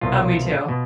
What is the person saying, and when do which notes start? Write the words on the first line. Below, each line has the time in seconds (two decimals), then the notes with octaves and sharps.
Oh, me too.
0.01 C2 B2 F4
0.69 B2